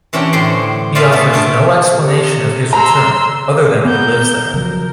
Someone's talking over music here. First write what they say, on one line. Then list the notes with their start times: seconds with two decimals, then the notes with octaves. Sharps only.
He offers no explanation of his return, other than he lives there.
0.13 C3 E3 C#4 D4 G5
0.33 A2 D3 C5 G5 C6
0.95 C5 D5 E5 F5 A5 B5
1.12 A3 B3 E4 E5
1.34 D3 A3 F#4
1.99 C3
2.73 A#5 C6 E6
3.85 B3 A#4 G6
4.54 C#3 F3 F#3 A#4